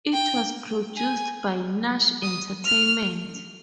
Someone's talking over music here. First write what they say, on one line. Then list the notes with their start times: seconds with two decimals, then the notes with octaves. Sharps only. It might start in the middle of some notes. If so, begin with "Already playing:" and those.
It was produced by Nash Entertainment.
0.13 G5
0.97 G#5
2.23 D#6
2.65 F6